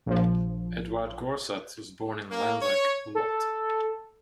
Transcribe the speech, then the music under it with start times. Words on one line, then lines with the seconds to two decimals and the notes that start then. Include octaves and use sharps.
Edouard Goursat was born in Lanzac, Lot.
0.06 A#1 F3
2.30 A#3
2.61 C#5
3.15 A4